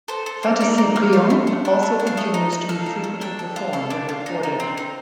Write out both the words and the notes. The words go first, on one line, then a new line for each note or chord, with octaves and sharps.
"Fantasie Brilliante" also continues to be frequently performed and recorded.
A4 C5
A4
A#3
D#4 D5
D#4
A#3
A3 F5
A3
A3
D4
A3
D4
F5
A3 D#5
D#4
D#4
A4 F5
D#4
A3
D4 G5
A4
F4
A4 F5
D4
F4
D#4
D#4
C4
D#4